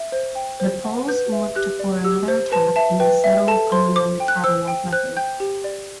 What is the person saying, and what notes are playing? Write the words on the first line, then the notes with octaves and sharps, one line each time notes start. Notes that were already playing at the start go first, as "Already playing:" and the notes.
The Poles looked for another attack, and they settled on another catalog method.
Already playing: E5
C5
G5
C5
F#5
B4 G6
E5
G4 F#6
D5
G4 E6
C5
B4 A5
E5 A5
B4 G5
E5
A4 A5
C5 C6
C5 D6
G5
F#6
C5 E6
G5
C5 F#6
G5 G6
G4
D5